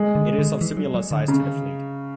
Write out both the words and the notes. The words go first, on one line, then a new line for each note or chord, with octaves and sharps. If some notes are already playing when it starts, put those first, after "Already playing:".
It is of similar size to the Fleet.
Already playing: G#3
D3
D3
E3
F#3
F#3
D3
C#3